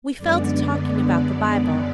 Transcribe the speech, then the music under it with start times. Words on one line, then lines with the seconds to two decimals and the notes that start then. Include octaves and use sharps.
We fell to talking about the Bible.
0.18 F#2 D3 G#3 B3 D5